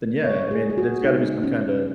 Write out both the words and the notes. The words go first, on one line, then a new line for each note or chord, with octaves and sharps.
Then, yeah, I mean, there's gotta be some kinda
C#3 G#3 C#5
G#4
G#4
F#4
C#3 G#3 D#4
C#4